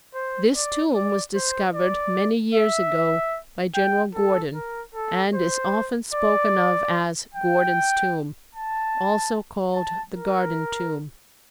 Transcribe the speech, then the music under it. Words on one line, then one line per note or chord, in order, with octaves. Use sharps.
This tomb was discovered many years ago by General Gordon and is often spoken of as Gordon's Tomb, also called the Garden Tomb.
C5
D5
D5
C5
D5
E5
G5
A4
A#4
A4
C5
D5
G5
A5
A5
A#4